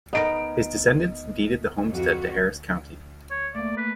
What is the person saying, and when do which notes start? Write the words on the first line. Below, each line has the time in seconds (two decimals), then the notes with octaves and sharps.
His descendants deeded the homestead to Harris County.
0.13 B3 D#4 A#4 D#5 D7
1.91 F2 F#4
3.30 C#5
3.55 A3 A#3 D5
3.77 B4